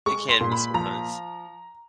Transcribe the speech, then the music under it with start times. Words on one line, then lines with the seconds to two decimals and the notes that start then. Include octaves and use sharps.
It can be sometimes.
0.06 G#3 C#6
0.29 C6
0.41 A#2
0.52 B5
0.74 F3 A#5